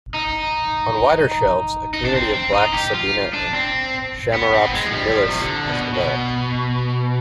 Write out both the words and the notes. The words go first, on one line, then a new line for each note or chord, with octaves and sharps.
On wider shelves, a community of Black Sabina and "Chamaerops humilis" has developed.
D#4
D#4
D4
C4
C4
D#4
G4
F4
D4
C4
B3
C4
B3
G#3
F3
G3
F3
C3
D3
B2
B2